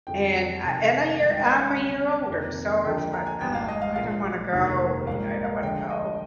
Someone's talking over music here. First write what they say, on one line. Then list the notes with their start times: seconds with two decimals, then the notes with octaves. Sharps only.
And I in a year I'm a year older, so it's, like, "Oh, I don't wanna go," you know, "I don't wanna go."
0.07 F2 D3 F3 G#3 G5
0.63 F1 F2 D#3
1.18 G#1 G2 D#3 G#5
1.33 G5
1.46 G#5
1.60 F5
1.73 D2 C3 G3 C4
2.29 F2 C3 D#3 A#3
2.85 D2 D3 F3 A#3 D4 G5
2.98 G5
3.13 A#5
3.27 G#5
3.41 G#1 G#2 G3 G5
3.55 F5
3.68 D#5
3.82 F5
3.96 A#1 A#2 G#3 F5
4.52 F1 D#2 D#3 A#3 D4
5.07 A#1 G#2 G3 A#3 F5
5.44 F5
5.63 D2 D3 F3 G#3 G5
5.90 D#5